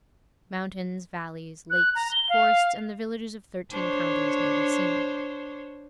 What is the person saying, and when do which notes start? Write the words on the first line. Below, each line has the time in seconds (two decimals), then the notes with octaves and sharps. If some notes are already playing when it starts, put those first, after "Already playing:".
Mountains, valleys, lakes, forests and the villages of thirteen counties may be seen.
1.70 F#6
1.95 A#5
2.11 G7
2.29 F5
3.71 D4 C5 C#5